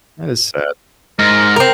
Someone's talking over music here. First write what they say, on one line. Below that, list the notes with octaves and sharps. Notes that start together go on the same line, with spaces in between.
That is sad.
G#2 A#4
C4 A#4